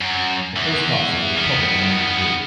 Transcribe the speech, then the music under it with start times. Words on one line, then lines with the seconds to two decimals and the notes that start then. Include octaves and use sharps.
The first castle was probably made of wood.
0.01 F#2
0.56 E2 E3
1.37 D#3 B3